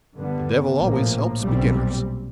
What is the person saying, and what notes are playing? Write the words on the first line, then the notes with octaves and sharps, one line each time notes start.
The devil always helps beginners.
G2 D3 G3 B3
A#1 A2 F3 A#3
B1 A#2 G3 C4